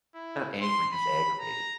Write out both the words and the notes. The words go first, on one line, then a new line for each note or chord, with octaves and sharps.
not angry, just aggravated.
E4
C6
B5
A#5